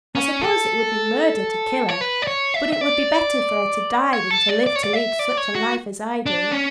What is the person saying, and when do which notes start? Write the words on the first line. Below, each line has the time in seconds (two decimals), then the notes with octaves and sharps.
I suppose it would be murder to kill her, but it would be better for her to die than to live to lead such a life as I do.
0.15 C#4
0.42 A4
1.89 C#5
2.01 B4
2.22 D5
2.27 C#5
2.54 E5
2.73 E5
2.81 D5
4.13 C#5
4.31 A4
4.49 D5
4.66 D5
4.76 C#5
4.84 D5
4.93 E5
5.19 D5
5.37 C#5
5.55 F#4
6.26 D4
6.52 C#4